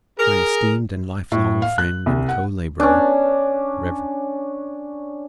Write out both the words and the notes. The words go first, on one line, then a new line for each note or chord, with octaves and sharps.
My esteemed and life-long friend and co-laborer, Rev.
G#4 A#4
A2
F5
F#6
C2
F#5
C#4 D4